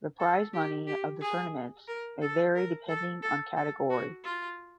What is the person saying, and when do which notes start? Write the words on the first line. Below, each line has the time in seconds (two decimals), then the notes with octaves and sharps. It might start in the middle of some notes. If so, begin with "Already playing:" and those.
The prize money of the tournaments may vary depending on category.
0.20 A4
0.54 G4
0.87 G4
1.21 G#4
1.88 A#4
2.22 A4
2.56 A#4
2.89 A4
3.22 A4
3.57 A4
3.90 F#4
4.24 F4